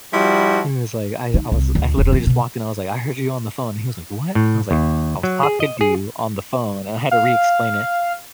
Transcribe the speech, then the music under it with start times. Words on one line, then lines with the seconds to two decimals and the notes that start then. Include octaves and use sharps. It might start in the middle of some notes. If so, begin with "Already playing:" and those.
He was like I I was I literally just walked in. I was like, "I heard you on the phone." He was like, "What?" I was like, "I was talking to you on the phone," and I had to re-explain it-
0.12 F3 G3 E4 F#4
1.34 D#4
1.52 C2
1.75 D2
1.97 E1
2.12 F2
2.27 B2
4.35 A2
4.71 D#2
5.23 F#3
5.43 G#4
5.60 D#5
5.81 G#4
7.11 F5